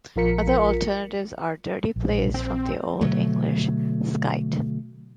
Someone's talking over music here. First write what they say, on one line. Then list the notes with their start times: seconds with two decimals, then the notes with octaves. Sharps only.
Other alternatives are 'dirty place', from the old English "scite".
0.16 A#1 F3 F4 A#4 B6 C#7
1.96 A#1
2.34 C4
3.01 B2 D3 F#3 A3